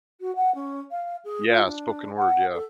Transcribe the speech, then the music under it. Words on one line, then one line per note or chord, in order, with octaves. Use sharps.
Yeah, spoken word, yeah.
F#4
F#5
C#4
F5
G#4
F4
D4
F#5
A4